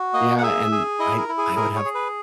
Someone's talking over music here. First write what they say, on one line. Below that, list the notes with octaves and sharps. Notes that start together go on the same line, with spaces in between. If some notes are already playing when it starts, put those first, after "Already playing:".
yeah, and I I would have
Already playing: F#4
A#3 D#5
F#5
G#4 E5
G#4
E4 D#5
A#4
E4
G#4
G#4 A#4
C#5
G#4
B4